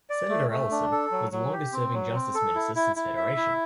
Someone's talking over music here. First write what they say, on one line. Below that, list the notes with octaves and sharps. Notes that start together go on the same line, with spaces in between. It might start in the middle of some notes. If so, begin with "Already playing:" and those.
Senator Ellison was the longest serving Justice Minister since Federation.
D5
A3
A3
D4
A4
F#3
F#3
G4
C4
F#3
C4
A4
E4
E4
E4
E5
E4